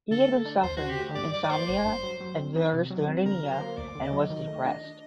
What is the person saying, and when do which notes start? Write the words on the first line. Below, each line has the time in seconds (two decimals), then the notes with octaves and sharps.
He had been suffering from insomnia and neurasthenia and was depressed.
0.11 D3 A4
0.29 A3
0.45 D4
0.63 D#2 C5
0.77 D3 F#4
0.90 G4
0.98 A3
1.15 G2 D5
1.33 F#3 D5
1.44 D5
1.51 A#3 C5
1.68 G1
1.85 G2
2.03 F#3
2.20 F#3
2.38 C4
2.56 D#4
2.73 C3
2.90 F#3
3.08 C4
3.25 D3 A#4
3.43 F#3
3.51 C5
3.61 A#3
3.77 D2 D5
3.95 D3
4.04 D#5
4.13 F#3
4.30 D#3
4.48 A3
4.65 D4